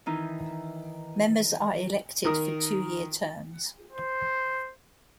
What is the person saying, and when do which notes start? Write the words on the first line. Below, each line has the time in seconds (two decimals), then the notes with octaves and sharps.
Members are elected for two-year terms.
0.06 D#3 E3 D#4 E4
2.25 D#3 A#4 D#6
3.93 C5